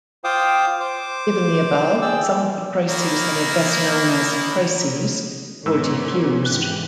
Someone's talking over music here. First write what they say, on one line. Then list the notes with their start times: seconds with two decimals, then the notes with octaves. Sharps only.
Given the above, some of the crises that are best-known "as crises" were defused.
0.24 F4 C5 F5 G5 D6 D#6
0.80 C5 D6
2.02 G#4 D5 G5 E6
2.89 D#3 A#3 E4
5.66 G#2 B3 C#4 E6
6.46 G#2 E3 G4 F#6